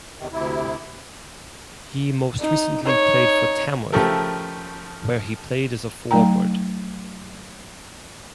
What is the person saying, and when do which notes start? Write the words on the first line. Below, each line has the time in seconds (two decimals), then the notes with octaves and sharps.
He most recently played for Tamworth, where he played as a forward.
0.19 E2 C3 D#3
0.33 D2 C3 E4
2.40 D#4
2.83 D#4 C#5
3.92 C#3 F3 A3 G4 A4 A#4
6.11 F#3 A3 D#4 G5 A#5